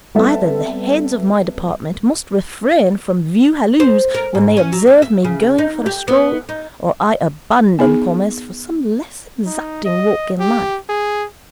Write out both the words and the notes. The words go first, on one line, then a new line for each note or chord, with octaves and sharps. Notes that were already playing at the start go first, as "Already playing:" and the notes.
Either the heads of my department must refrain from View Halloos when they observe me going for a stroll, or I abandon Commerce for some less exacting walk in life.'
G3 B3 C4 A4 E5
C5
A#4
G#2
C#4
F#3
A#3
E5
C#3
D#4
G4
B3
D#4
B3 D#4 G#4
D#4
D#5
G4
G#4